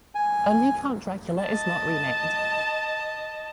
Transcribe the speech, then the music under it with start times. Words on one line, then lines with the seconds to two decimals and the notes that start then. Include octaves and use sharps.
Only Count Dracula is not renamed.
0.15 G#5
1.43 D#5 A5